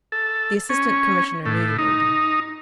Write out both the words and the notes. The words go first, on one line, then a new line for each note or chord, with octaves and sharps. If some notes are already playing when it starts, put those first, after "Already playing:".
The Assistant Commissioner knew the lady.
A4
C#4
A2
D#4